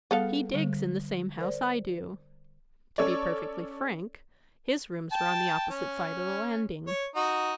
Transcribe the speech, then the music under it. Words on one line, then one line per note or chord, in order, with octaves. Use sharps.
He digs in the same house I do. To be perfectly frank, his rooms are on the opposite side of the landing.
G3 B3 G#4 A4 F5
D3 G3
A#4 C5 D5
C#4 A4 C#5 D5
G5 A5
C#4
C#5
D#4 F#4